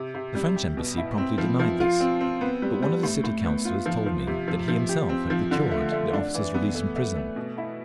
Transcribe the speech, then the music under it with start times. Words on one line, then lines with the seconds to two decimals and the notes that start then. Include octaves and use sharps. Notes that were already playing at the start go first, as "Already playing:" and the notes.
The French Embassy promptly denied this, but one of the City Councillors told me that he himself had procured the officer's release from prison....
Already playing: C3
0.14 C3
0.35 G3
0.56 G4
0.77 B2
0.97 E4
1.18 C4
1.38 F3
1.59 F3
1.80 F4
2.00 C4
2.21 C4
2.41 B3
2.62 G3
2.82 G3
3.03 A2
3.24 A2
3.44 B3
3.65 F4
3.86 F3
4.06 F3
4.27 C3
4.48 F3
4.68 F3
4.89 G4
5.09 C4
5.30 F3
5.51 D3
5.71 A3
5.92 A3
6.13 D4
6.34 E3
6.54 B3
6.75 A3
6.96 A3
7.16 A3
7.36 B2
7.58 E4